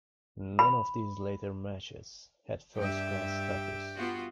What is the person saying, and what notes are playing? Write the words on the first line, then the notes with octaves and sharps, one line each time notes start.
None of these later matches had first-class status.
B5
G2 G4 E5 G5
B3 F4 F#4